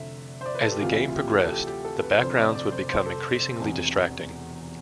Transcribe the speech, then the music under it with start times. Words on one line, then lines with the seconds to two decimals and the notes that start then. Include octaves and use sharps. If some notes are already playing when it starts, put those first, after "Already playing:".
As the game progressed, the backgrounds would become increasingly distracting.
Already playing: F1 D3 E5
0.41 C5
0.46 D5
0.55 B4
0.63 A4
0.72 G4
0.81 D2 C3 E3 F4
0.92 E4
1.09 F4
1.16 G4
1.43 A4
1.50 G4
1.67 G4
1.85 A4
2.02 B4
2.19 F1 F2 D3 C5
2.38 D5
2.55 D5
2.72 C5
2.89 C5
3.06 A4
3.59 E1 E2 C3 E3